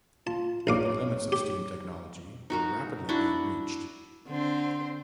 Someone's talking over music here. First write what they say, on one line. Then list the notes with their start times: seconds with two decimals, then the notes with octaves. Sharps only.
But the limits of steam technology were rapidly being reached.
0.27 F4 A5
0.67 A#1 D#4 C#5 F5 D6
1.32 G4
2.50 D#4 F#4 A#4
3.09 D4 E4 F#4
4.27 D3 C4 C5